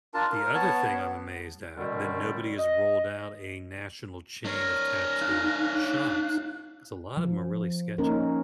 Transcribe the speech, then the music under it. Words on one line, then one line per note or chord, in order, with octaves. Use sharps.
The other thing I'm amazed at that nobody has rolled out a national chain of tattoo shops, 'cause a lot of 'em are really sketchy,
D4 F4 A#4 A5
A#4
B3 C#5 A5
B3
F#2 B2 D3 D#3 G3
D#5
D4 A#4 C#5
D#4 F5 F#6
F3
A#3 C#4 D#4 A#4